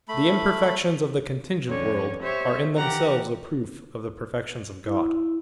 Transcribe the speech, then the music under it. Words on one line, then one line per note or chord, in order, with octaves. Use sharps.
The imperfections of the contingent world are in themselves a proof of the perfections of God.
A3 B5
F2 D3 C#4 C#5
G4 C5 C#5 E5
E3 G4 A#4 F#5 A#5
E4